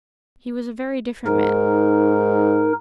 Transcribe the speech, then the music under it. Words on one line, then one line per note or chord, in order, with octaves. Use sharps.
He was a very different man.
G#2 D#4 A#4